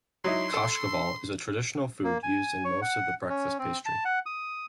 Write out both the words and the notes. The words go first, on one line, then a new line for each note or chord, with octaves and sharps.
Kashkaval is a traditional food used in most of the breakfast pastry.
F#3 D#4 E4 C6
A4
A#3
G#5
C#5
F#5
C#4
C4
A5
F#5
D#6